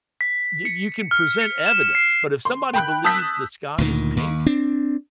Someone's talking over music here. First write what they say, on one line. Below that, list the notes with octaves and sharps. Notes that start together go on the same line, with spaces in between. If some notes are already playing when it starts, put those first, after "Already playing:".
you you can present evidence, but if somebody believes the sky is pink,
B6
C#7
F6
C#7
E7
C7
C6
G5 B5 F#6
A5 D#6 E6 F#6 G6 B6
D2 A#2 D#3
D#2
C4 D4